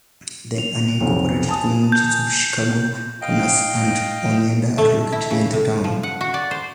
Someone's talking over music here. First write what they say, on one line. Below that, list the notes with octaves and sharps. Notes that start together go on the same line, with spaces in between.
The unincorporated communities of Chicago Corners and Oneida are located in the town.
F7
B1 F2 C3
G#5 A5 D#6
G6
D#5 F5 G5
A3
E4
C#3
A2
F3
F#5
F#4
D5
C5